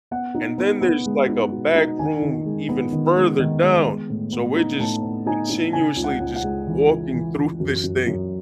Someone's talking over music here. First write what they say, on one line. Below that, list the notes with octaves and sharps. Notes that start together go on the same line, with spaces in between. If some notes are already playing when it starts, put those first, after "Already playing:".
and then there's, like, a back room even further down, so we're just continuously just walking through this thing,
B3 F#5
D#4
B3
B3
G#3
D#4
B2
D#4
D#3 G#5
D#3
G#3
B3
D#3
G#3
D#3
G#3
B3
A2
B3
D#4
A2 A5
B3
D#4 G#5
D#4
C#3 G#5
C#2
F#5
C#2
F#5
G#3
E3
C#2
E3
E3
F#2
F#2
F#2